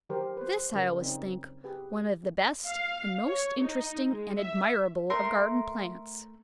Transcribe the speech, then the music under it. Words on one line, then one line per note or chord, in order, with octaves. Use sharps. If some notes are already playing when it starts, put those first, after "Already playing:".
This I always think one of the best and most interesting and admirable of garden-plants.
D#3 F#3 G4 A#4 C5
B4 C5
C#3 F#3 C#4 A#4
C#3 C4 C#4 D#4
G4 G#4 B4
F5
C#5
D#4
G#3
E5
A3 A#4 C6